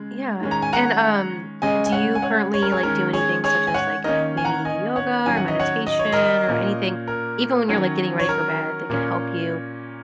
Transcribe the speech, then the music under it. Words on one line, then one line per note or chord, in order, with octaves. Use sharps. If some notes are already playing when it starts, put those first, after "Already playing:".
Yeah. And, um, do you currently, like, do anything such as, like, maybe yoga or meditation or anything even when you're, like, getting ready for bed that could help you
Already playing: C#3 G#3
D#3 G#3 C#4
A#5
G#5
F#5 A#5
C#3 G#3 C#4 D#5 G#5
G#5
C#5 F#5
G#5
C#5 F#5
C#5
A#4
G#4 C#5
D#3 G#3 C#4 A#4
G#4 C#5
G#4 C#5
G#5
C#5 F#5
D#3 A#3 C#4 A#4 D#5
G#5
F#5 A#5
D#5 G#5
C#5 F#5
D#3 F#3 C#4 G#5
F#5
D#5
C#5 F#5
D#5
C#5
A#4 D#5
A#2 A#3 C#4
A#4
D#3 F#3 C#4
C#5
A#4
A#2 A#3 C#4